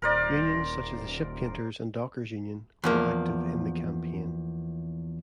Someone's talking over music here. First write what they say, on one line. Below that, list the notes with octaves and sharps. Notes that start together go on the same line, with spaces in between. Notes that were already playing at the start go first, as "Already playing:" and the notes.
Unions such as the Ship Painters and Dockers Union were active in the campaign.
D#1 A#4 C5 D5
E2 F3 A#3